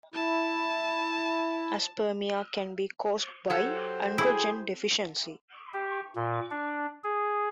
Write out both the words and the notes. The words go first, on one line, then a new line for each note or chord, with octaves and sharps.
Aspermia can be caused by androgen deficiency.
E4 A5
F#3 G4 A4 C5 F#5
E4 G#4
G4
A#2
D4
G#4